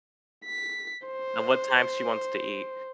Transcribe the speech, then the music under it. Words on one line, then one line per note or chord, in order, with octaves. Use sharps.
At what time she wants to eat.
B6
C5